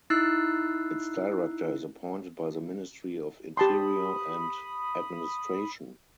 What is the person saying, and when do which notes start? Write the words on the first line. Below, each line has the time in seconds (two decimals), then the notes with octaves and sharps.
Its director is appointed by the Ministry of Interior and Administration.
0.10 D#4 E4 E6 F#6 C7
3.57 G4 A5 B5 C6 D#6